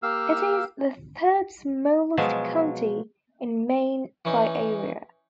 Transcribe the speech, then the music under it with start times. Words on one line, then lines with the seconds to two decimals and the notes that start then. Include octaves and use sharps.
It is the third-smallest county in Maine by area.
0.03 A#3 G4 F5 E6 F6
2.17 B2 F3 F#3 G#3
4.25 E3 C#4 D#4